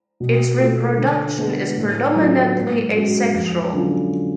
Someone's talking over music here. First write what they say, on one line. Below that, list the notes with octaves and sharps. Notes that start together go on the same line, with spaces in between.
Its reproduction is predominantly asexual.
B2
A3 F4
D3
G#3 B3
A2
F#3 A3 D4 F4
G#2
G#3 C#4 F#4
F2
D3 F#3 C#4 F4